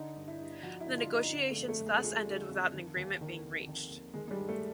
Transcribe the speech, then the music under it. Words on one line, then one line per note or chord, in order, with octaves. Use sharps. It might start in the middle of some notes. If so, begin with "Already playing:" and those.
The negotiations thus ended without an agreement being reached.
Already playing: D3 D#4
G2
E4
G2
F3 F#4
E4
D3
F4
G2
D#4
D3
A3
F2
A3
F2
G#3
A3
F3 G#3
D3
F2
D#3
D#2
D#3
D#2
D#3
D#2
D#3 G#3
G#3
G3
G2
A3